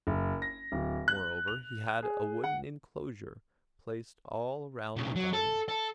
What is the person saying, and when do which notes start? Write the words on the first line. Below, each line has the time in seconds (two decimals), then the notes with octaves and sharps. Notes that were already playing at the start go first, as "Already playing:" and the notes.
Moreover, he had a wooden enclosure placed all round the garden.
0.07 F#1
0.42 A#6
0.72 D1
1.08 F#6
1.48 F7
2.03 G#4
2.44 F#5
4.96 B1 C#3
5.15 F#3
5.33 A4
5.69 A4